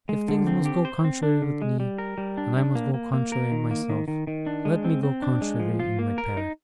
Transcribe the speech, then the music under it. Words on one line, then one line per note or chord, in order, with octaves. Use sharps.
If thinks must go contrary with me, and I must go contrary myself, let me go contrary in my parish.
G#3
D3
C4
G4
C5
C4
D4
D3
G#3
G3
A#4
G3
D4
D4
A#3
A#3
A#3
A#4
D#3
A#3
D#3
D#3
D#3
D4
G#3
C4
C4
D4
G#3
F3
F4
A#3
A#4
D#4